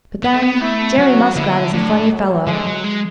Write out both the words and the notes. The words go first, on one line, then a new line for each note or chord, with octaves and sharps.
But then, Jerry Muskrat is a funny fellow.
B3
A3
B3
A3 E4
F#3 F#4
D3 E4
A2 D4
F#3
D3 G#3
F#3
G#3